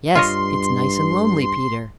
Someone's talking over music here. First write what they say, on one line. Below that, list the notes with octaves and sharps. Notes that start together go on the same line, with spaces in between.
"Yes; it's nice and lonely, Peter."
G2 F4 C#5 D#5 C6